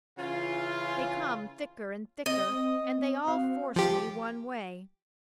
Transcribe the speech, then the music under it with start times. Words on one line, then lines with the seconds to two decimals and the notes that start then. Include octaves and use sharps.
They come thicker and thicker, and they all force me one way.
0.18 C#3 E3 C#4 F4
2.26 C4 D#5
3.27 F#4 F5
3.76 F3 G4